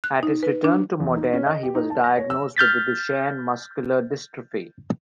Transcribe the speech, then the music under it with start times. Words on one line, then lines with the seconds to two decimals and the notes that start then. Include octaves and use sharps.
At his return to Modena, he was diagnosed with Duchenne muscular dystrophy.
0.04 F#6
0.23 D#4
0.43 B4
0.64 D4
1.00 E2
1.16 D#4
1.33 C#4
1.46 D#5
1.63 G4
1.75 D#4
1.90 A5
2.04 A#6
2.17 C#5
2.30 E6
2.57 F6 G6 A6 B6